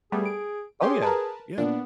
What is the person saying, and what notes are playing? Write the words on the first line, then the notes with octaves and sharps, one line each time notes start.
Oh, yeah. Yeah.
G3 A3 B3 G#4
D7
C#4 G4 G#4 C6
A#4 B4 A5
A#2 B3 D4